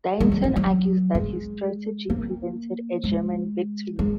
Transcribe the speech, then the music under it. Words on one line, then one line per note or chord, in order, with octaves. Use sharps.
Deighton argues that his strategy prevented a German victory.
G#3
F#3
F3
F#3
G#3
A#3
G#3
G#3